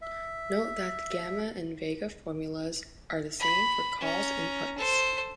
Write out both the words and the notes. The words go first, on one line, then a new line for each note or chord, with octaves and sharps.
Note that the gamma and vega formulas are the same for calls and puts.
E5
B5
C#4 A#5
A4 C5